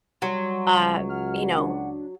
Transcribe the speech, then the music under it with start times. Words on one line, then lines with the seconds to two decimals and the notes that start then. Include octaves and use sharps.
uh, you know
0.22 F#3 G3 C6
0.71 C#2
1.09 F#5 F6
1.56 D4